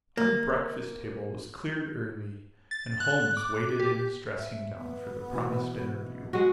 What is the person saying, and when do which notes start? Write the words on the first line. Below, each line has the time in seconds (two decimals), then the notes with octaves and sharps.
Our breakfast table was cleared early, and Holmes waited in his dressing-gown for the promised interview.
0.17 A#3
2.71 A6
3.00 F#6
3.37 D6
3.80 G4
4.39 E5
4.77 B3
5.32 B2 E3
6.33 G#3 F#4